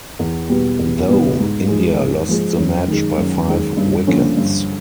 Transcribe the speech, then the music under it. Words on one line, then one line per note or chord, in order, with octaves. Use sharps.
Though, India lost the match by five wickets.
E2
B2 G3 B3
E2
B2 G3 B3
G#2
F3 G#3
G#2
F3 G#3
F#2
D#3 G#3
F#2
D#3 G#3
G2
D3 F3 A#3 C#4
G2